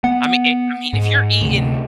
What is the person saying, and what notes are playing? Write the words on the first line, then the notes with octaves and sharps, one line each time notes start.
I mean, eh I mean, if you're eating
B3 F#5
G#2
D2 C3